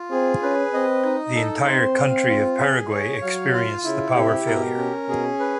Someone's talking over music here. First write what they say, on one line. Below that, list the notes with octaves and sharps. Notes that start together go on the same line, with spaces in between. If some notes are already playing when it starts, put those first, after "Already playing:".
The entire country of Paraguay experienced the power failure.
Already playing: F4
C4 G#4
C#4 B4
C4 D#5
D#4
A4
C4 C5
F5
F4
G#4
C#5
F#3 F5
F4
C#3 E4
C3 G4
B2 A#4
C#4
B2 G#4
B4